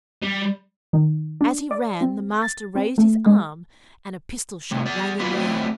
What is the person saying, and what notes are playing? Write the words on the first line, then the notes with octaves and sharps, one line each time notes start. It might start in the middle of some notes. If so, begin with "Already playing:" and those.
As he ran the master raised his arm and a pistol shot rang in the air.
G3
D#3
D4
D5
C4
A6
C4
A3
G#3
A2 C3
G#4 D5
A#3 B3 E4 F4 B4 D5
F#3 A3 C4 E4 G#4 D5